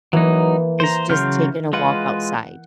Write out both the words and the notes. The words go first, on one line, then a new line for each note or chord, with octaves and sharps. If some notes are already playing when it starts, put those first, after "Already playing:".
is just taking a walk outside.
E3 F#3 A#3 D#4
C5 A#5
C#3 F#3 C6 F6 G6 B6
G#3 F4 B4 F#5